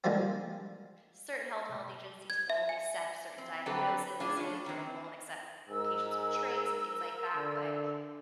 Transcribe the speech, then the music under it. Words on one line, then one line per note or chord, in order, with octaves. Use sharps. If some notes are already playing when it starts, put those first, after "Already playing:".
certain home health agencies won't accept certain diagnosis's or they won't accept patients with trachs and things like that, but
D3 F3 G3 G#3 A#3 C4
G#6
E5
G#5
C4
D3 F#3 C4 G4 A4 B4
A3 D4 E4 F4 G#4
F3 A3 D4 C#5
D#3 C4
G#2 A#4 E6
D3